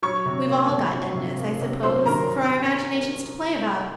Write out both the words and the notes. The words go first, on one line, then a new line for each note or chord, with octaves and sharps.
We've all got Ednas, I suppose, for our imaginations to play about.
F#3 C#5 C#6
C3
A#3
C3
F#3
C3
A#3
C3
F#3 C5 C6
D#3 A#4 A#5